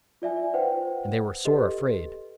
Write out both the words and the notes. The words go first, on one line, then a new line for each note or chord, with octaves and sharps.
And they were sore afraid.
F4 D5 E5 G#5
B4 C5 F#5 G5
G4 A4 B4 D#5